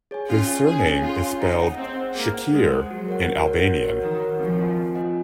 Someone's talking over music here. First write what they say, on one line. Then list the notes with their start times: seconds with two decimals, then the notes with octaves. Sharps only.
His surname is spelled "Shykyr" in Albanian.
0.11 G#4 C#5 G#5
0.29 C#4 F4
0.48 G#4 C#5 G#5
0.67 C#4 G#4
0.85 G#4 C#5 G#5
1.04 C#4 F4
1.23 G#4 C#5 G#5
1.41 D#4 G#4
1.60 C5 F#5
1.78 C4 G#4
1.97 C5 F#5
2.15 A#3 G#4
2.34 C5 F#5
2.53 G#3 G#4
2.71 C5 F#5
2.90 F#3 F#4
3.08 A#4 C#5 F#5
3.27 F#4
3.46 A#4 C#5 F#5
3.64 F#4
3.83 A#4 C#5 F#5
4.02 D#3 F#4
4.20 A#4 C#5 F#5
4.39 F3 C4
4.58 F4 C5 D#5 G#5
4.77 C4
4.95 F4 C5 D#5 G#5